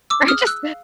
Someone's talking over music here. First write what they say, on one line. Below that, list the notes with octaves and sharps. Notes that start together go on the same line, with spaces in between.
I just
D6 E6
G#4 D#6 F6
E6 F#6
F5